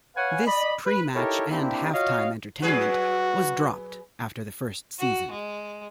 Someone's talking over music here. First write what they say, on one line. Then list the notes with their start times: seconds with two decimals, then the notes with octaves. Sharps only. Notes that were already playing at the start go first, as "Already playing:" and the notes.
This pre-match and half-time entertainment was dropped after the first season.
0.16 B4 C#5 F5 F#5 G#5
0.46 D5 D#5 B5
0.86 B4
1.15 D#4 E4 G4 A4 A#4 C#5
1.50 A#3 C4 D4 E4 G4
1.93 F4 F#4 C#5 D#5 F5
2.62 F#3 F#4 G#4 B4
4.99 F#4
5.31 G#3